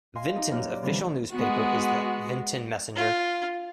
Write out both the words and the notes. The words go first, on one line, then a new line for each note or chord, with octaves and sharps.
Vinton's official newspaper is the "Vinton Messenger".
D#5 F5 G#5 C6
D#4 G4 D#5
F#2 A#2 F6
D5
C3 D#3 E3 G3
G#3 B3 F#4
F4